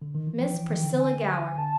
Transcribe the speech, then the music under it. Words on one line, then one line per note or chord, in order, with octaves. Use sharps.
"Miss Priscilla Gower."
D3
D#3
E3
F3 G5
E3
D#3
D3
G#5
D3 A5